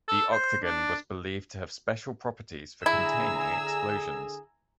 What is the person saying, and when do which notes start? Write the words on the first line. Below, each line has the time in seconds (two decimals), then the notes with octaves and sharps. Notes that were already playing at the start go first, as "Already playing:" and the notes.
The octagon was believed to have special properties for containing explosions.
0.08 A4
0.32 C5
0.64 D4
2.86 D3 E4 G#4 G#5 A#5 E6